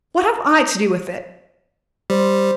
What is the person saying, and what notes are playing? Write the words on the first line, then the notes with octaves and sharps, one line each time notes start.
What have I to do with it?
G3 C5